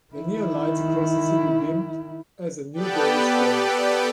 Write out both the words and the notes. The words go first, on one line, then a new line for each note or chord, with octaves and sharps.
The neon lights across the city dimmed as a new day is born.
D#3 E4
B3 G4 A4 B4 D5 G5